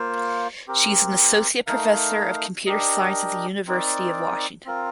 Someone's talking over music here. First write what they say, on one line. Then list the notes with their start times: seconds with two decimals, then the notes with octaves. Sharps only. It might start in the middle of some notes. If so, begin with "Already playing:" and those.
She is an associate professor of computer science at the University of Washington.
Already playing: A#3 F4 C5
0.68 C4 G4 A#4
1.67 A3 D#4 A#4 F5
2.66 D4 G4 A#4 D#5
3.67 C4 D#4 A#4 D5
4.65 C4 F4 A#4